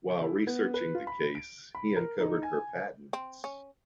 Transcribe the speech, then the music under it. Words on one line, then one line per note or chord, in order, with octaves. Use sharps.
While researching the case, he uncovered her patents.
E4
B3
B4
F4
B5
D7
B5
A#4
D#4
G#5
C4
C#4